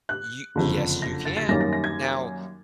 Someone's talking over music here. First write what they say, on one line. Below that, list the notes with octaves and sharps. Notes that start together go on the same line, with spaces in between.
You yes, you can. Now
F#6
F#1 F2 D3
A#6
A6
A6
F#2 D#3 G3 A#3 C#4 A#6
A#6
A#6
G#6